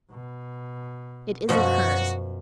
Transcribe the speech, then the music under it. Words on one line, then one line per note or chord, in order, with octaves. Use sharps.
It isn't hers!
B2
F#2 B2 F3 F#4